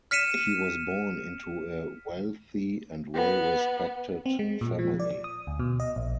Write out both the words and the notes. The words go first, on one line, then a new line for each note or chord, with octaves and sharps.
He was born into a wealthy and well respected family.
F6 B6 C#7 D#7 E7
B3
C4
G#3
A#2
F3
D5
D#6
D2
B2
D#5
A#1